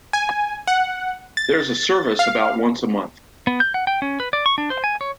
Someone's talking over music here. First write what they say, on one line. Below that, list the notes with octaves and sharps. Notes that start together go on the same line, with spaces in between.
There is a service about once a month.
G#5
F#5
A6
F5
B3
G6
F#5
G5
C#4
B4
D5
C#6
D4
C5
G#5
C#5